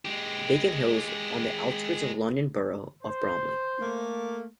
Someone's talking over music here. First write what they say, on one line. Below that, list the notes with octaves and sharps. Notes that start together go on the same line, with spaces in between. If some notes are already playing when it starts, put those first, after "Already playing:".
Biggin Hill is on the outskirts of the London Borough of Bromley.
G#3 G4
C5
A3 A#3